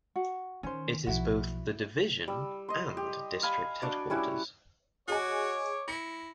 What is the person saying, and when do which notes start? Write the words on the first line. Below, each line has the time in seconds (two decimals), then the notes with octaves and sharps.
It is both the division and district headquarters.
0.16 F#4
0.63 D#3 C#4 C5
1.07 B1 F3 E4 F#4
2.28 G3 E6
2.69 D#5 C6
2.97 G4
3.43 F5 G#5 B5
3.82 D4 F#4 D5
4.10 G3 C#4 E4 F#4
5.08 F#4 G#4 C#5 D#5 G#5 D6
5.88 E4 A#6 C#7